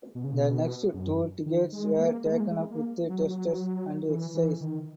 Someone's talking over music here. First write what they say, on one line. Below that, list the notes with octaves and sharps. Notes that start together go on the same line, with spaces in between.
The next two decades were taken up with tests and exercises.
B2
C#3
B2
F#2
D#3
G#3
A#3
G#3
A#3
G#3
G#3
A#3
F#3
F#3
E3
E3
D#3